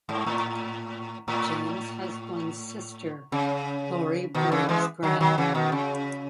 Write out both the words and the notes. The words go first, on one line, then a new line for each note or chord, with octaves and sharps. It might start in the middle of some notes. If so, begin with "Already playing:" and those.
James has one sister, Laurie Burrows Grad.
G#2
A2
A2
C#3
B2 D#3
C#3 E3
E3 G#3
D#3 F#3
D#3 F#3
C#3 E3
B2 D#3
C#3